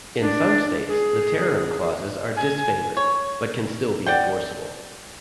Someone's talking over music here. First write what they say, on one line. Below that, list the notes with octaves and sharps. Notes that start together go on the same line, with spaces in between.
In some states, in terrorem clauses are disfavored, but can still be enforceable.
D4
G#4
G#5
C#5
D5 F#5 G5